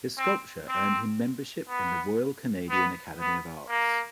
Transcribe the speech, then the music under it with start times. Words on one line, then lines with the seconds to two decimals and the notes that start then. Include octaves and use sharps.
His sculpture earned him membership in the Royal Canadian Academy of Arts.
0.18 C4
0.68 C4
1.70 B3
2.70 B3
3.19 B3
3.69 A#3